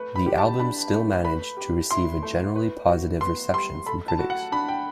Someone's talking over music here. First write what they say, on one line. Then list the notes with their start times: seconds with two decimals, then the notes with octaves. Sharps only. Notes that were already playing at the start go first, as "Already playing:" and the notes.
The album still managed to receive a generally positive reception from critics.
Already playing: A3 B4
0.16 B5
0.26 G4
0.38 A5
0.59 D4 B5
0.93 A3
1.25 B4 B5
1.57 G4
1.90 E4 C6
2.22 A3
2.56 B4
2.89 F#4
3.21 B3 C6
3.54 G3 C6
3.86 A4 B5
4.08 A5
4.19 F#4
4.30 F#5
4.52 D4 B5
4.69 G5